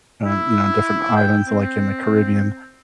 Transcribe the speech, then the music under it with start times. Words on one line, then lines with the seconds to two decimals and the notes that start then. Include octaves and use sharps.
um, you know, different islands like in the Caribbean.
0.25 E4
1.16 G5
1.47 C4